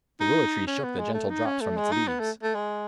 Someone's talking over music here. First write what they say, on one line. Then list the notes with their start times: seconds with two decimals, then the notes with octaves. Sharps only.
The willow-tree shook the gentle drops from its leaves.
0.20 D#4
0.67 C#4
0.83 B3
0.99 G#3
1.14 A3
1.30 D#4
1.45 C#4
1.61 A3
1.77 G#3
1.92 D#4
2.08 B3
2.20 A3
2.43 A3
2.55 G#3